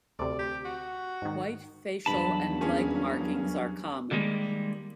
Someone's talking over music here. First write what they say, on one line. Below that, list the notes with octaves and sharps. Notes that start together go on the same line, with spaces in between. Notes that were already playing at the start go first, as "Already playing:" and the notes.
White facial and leg markings are common.
D2 C3 D5
G4
F#4
G#2 D#3
E2 G2 F#3 A5 B5
G2 A#3 C#4 G#4
D3 D#3 G3 G#3 A#3